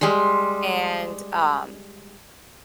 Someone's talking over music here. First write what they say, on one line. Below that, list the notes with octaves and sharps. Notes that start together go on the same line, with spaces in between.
and, um,
G3 G#3 F5 C6